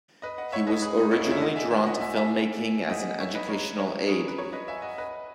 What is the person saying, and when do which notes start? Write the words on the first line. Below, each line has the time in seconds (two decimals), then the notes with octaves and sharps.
He was originally drawn to film making as an educational aid.
0.22 B4 D#5
0.38 D#5 F#5
0.52 C#5 E5
0.67 B4 D#5
0.82 G#4 B4
0.96 D#4 F#4
1.11 C#4 E4
1.21 E4 G#4
1.31 C#5 E5
1.42 D#5 F#5
1.56 E5 G#5
1.71 E5 G#5
1.86 D#5 F#5
2.01 E5 G#5
2.15 E5 G#5
2.90 D#5 F#5
3.20 C#5 E5
3.35 B4 D#5
3.49 A#4 C#5
3.78 A#4 C#5
4.08 G#4 B4
4.28 B4
4.38 A#4 C#5
4.53 B4 D#5
4.68 E5 G#5
4.82 D#5 F#5
4.98 B4 D#5